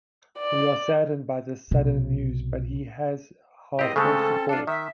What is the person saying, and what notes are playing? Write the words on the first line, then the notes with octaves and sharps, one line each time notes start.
We are saddened by this sudden news but he has our full support.
D5
B1 C3
C#2 A2 C4 G4 D#5
C#3 G#3 A3 C4 C#4 A4
D4 F4 A4
D#3 E5